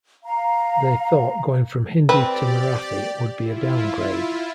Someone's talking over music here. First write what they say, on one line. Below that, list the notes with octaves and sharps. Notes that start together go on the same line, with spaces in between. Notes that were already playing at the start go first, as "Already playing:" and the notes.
They thought going from Hindi to Marathi would be a downgrade.
F5 A#5
C4 G4 B4 D5
E4 F4